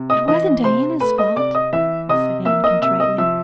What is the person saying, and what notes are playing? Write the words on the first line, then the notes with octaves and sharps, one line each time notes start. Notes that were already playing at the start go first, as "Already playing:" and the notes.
"It wasn't Diana's fault," said Anne contritely.
Already playing: C3
D#5 D#6
E3 D#5 D#6
C3 C5 C6
A3 B4 B5
D#5 D#6
C3 D5 D6
D#5 D#6
E3 E5 E6
C3 D#5 D#6
A#3 E5 E6
D#5 D#6
C3 E5 E6
D#5 D#6
F3 E5 E6